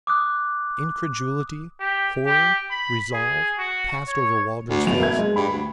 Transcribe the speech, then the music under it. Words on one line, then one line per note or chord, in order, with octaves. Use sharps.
Incredulity, horror, resolve, passed over Waldron's face.
D6 D#6 F#6
G4
G4
B5
G#4
F#4
C#5
D2
G1 B2 F7
A#3 E5 G#6
G#3
G2 B5
D2